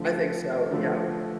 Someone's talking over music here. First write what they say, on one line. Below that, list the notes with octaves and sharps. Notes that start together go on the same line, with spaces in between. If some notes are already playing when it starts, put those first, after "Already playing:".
I think so, yeah.
Already playing: D3 F3 A3
D3 F3 A3